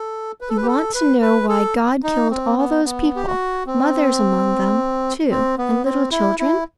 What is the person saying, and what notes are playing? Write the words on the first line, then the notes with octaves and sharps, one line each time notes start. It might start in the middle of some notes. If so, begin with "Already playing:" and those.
You want to know why God killed all those people--mothers among them, too, and little children?
Already playing: A4
B4
A4
B4
G4
A4
B4
B4
A4
D#4
C4
B3
B3
G4
F#4
C4
C4
B3
C4
E4
E4